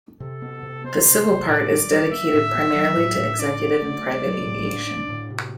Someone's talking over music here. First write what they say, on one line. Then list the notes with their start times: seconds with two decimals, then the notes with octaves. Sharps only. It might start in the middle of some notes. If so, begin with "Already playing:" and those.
The civil part is dedicated primarily to executive and private aviation.
0.20 C3 A4
0.42 B3
0.63 C3
0.84 B3 C5
1.06 C3
1.27 C3
1.48 A2 D5
1.69 G3
1.91 G3
2.12 B3 E5
2.34 A2
2.55 B3
2.75 F#3
2.97 A2
3.18 A2
3.39 D4 D5
3.60 D4
3.82 A3
4.03 B3
4.24 F#3
4.46 A2
4.66 D4
4.87 D4
5.09 A2
5.30 C3